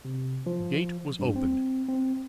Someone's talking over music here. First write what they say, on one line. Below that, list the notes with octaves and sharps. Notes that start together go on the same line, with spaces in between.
The gate was opened.
C3
F3
G2
C4
C4